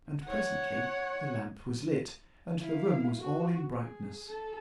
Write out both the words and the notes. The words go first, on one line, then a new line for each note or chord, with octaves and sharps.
And, presently, the lamp was lit, and the room was all in brightness.
C#5 F#5
E4 F5
F#4
G#4
A4